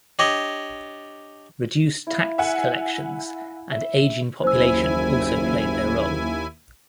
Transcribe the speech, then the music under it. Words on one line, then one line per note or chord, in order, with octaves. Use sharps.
Reduced tax collections and aging population also played their role.
D4 G4 C#5 D#5
E4 F5
E5 F#5 G#5
E5
F#1 D#2 E4 C5 G#5 E6